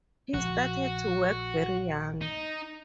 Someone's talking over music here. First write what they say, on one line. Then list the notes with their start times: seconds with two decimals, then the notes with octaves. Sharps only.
He started to work very young.
0.34 A#1 A#2 F3 F#4
2.21 D#4